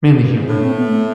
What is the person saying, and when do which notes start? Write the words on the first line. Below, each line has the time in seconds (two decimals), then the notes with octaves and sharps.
mainly humor.
0.08 F#2
0.22 G2
0.35 G#2
0.48 A2 D4
0.62 C4
0.75 B3
0.88 A3